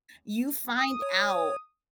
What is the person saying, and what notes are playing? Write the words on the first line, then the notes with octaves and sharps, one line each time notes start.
you find out
D#6
C#5